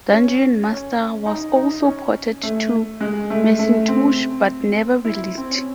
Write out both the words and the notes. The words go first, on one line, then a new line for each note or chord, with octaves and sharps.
Dungeon Master was also ported to Macintosh but never released.
C#4
C#4
D#4
D#4
C#4
A3
G#3
A3
A3
C4
E4
C4
C#4